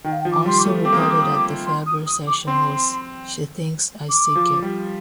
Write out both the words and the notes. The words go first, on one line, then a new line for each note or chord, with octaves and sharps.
Also recorded at the February session was "She Thinks I Still Care".
D#3 G5
F5
G5
F3
D6
G3 C6
D6
A3
C4 D6
A#3
C4 D#6
D6
D#6
D6
C6
D#6
D#6
D6
C4 C6
D6
F3
G3